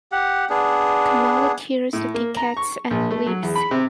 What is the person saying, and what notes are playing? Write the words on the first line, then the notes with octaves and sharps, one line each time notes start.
Kamala tears the tickets and leaves.
G4 F#5
B3 D4 G#4
A2
A#3
A#5
C#6
A#1
A3
F#3
E2
B5
C3